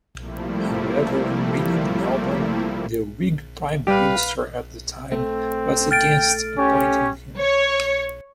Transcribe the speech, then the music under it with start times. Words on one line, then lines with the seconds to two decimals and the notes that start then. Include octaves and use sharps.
However, William Melbourne, the Whig Prime Minister at the time was against appointing him.
0.16 C3 F3 G3 A3 A#3 E4
3.87 G3 G4 B4 F5
5.12 A3 C4
5.91 G5 F6 A6 D7
6.58 C#4 G4
7.39 C#5